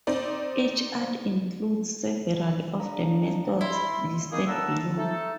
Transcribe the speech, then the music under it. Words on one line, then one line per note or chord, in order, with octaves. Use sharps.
Each art includes several of the methods listed below.
C4 D#4 D5
D4 A4 F5 A#5
E4 D#5 E5 B5 C6
G#3 A#3 B3 D#4 G4 G#4
A2 D3 F#5 A5 A#5 E6
A3 D#4 A4